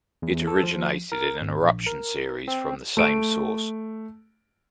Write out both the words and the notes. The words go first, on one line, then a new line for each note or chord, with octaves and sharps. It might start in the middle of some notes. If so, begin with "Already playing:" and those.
It originated in an eruption series from the same source.
E2
A4
F3
A#4
G#1
A#1
A#4
C4
A3 D7